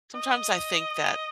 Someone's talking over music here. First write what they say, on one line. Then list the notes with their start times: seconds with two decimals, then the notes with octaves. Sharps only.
Sometimes, I think that
0.15 D#5